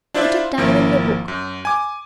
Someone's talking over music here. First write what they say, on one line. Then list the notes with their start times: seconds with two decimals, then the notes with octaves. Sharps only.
"Put it down in your book."
0.14 D4 E4 F4 C5 D5 E5
0.58 G#1 F3 A#3 E4
1.28 F#2
1.65 G#5 D6